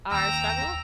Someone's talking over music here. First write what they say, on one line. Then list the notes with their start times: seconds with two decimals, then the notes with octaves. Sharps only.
our struggles.
0.11 D#2 G5 A#5 E6 A#6